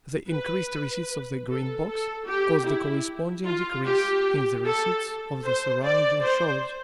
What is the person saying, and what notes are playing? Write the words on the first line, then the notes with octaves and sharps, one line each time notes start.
The increased receipts of the Green Box caused a corresponding decrease in the receipts of the surrounding shows.
B4
A4
A4
G4
E4
F4
G4
A4
C5
D5
C5